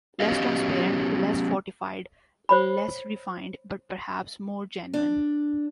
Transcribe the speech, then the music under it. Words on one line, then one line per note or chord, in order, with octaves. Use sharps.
Less transparent, less fortified, less refined: but perhaps more genuine.
F#3 B3 C#4 G4 D#5 F5
C5 C#5 B5
D4